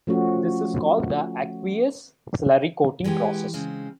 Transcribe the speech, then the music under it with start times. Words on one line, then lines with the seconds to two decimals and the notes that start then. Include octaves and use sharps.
This is called the aqueous slurry-coating process.
0.07 F3 A3 C#4 F#4
3.04 E3 G#3 B3 G4
3.54 C#3 G#3 C4